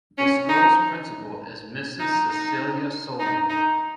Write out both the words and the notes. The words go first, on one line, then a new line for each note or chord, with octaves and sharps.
The School's Principal is Mrs Cecilia Solan.
C#4
D#4
D#4
D#4
D#4
D#4